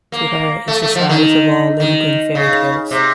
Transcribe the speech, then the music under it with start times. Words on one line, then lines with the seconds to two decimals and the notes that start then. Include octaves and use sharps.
To her is the saddest of all Lindgren fairy tales.
0.12 A#3
0.68 A3
0.82 A3
0.95 F3
1.09 D#3
1.80 D#3
2.35 C#3
2.91 C3